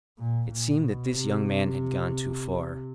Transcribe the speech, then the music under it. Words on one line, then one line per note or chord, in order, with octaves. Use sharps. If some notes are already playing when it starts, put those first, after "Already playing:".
It seemed that this young man had gone too far.
A#2
A#2
B2
C3